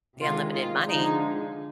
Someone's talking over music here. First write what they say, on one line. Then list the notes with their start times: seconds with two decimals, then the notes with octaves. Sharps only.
The unlimited money,
0.21 C3 D#3 G#3 F4
0.54 F4
0.88 D3 F3 G#3 D#4